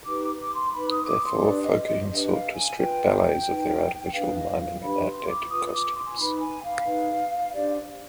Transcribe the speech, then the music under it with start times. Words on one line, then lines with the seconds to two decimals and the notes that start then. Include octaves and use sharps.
Therefore, Fokine sought to strip ballets of their artificial miming and outdated costumes.
0.06 D#4 G4 B4 D6
0.23 D6
0.40 D6
0.56 C6
0.73 D#4 B4 B5
0.91 D#6
1.08 D6
1.25 C6
1.41 D4 G4 B4 D5
1.64 D#5
1.86 D#5
2.09 D4 G4 B4 D#5
2.32 F5
2.54 G#5
2.77 F4 B4 G5
3.45 D#4 B4
4.13 D4 G#4 B4 F5
4.36 D#5
4.58 F5
4.80 D4 G4 B4 B5
5.03 C6
5.26 D6
5.48 F4 B4 D#6
5.66 D#6
5.71 D6
5.94 C6
6.07 G#5
6.17 D#4 B4 B5
6.39 G#5
6.62 F5
6.84 D#4 G#4 B4
7.52 D4 G4 C5 D5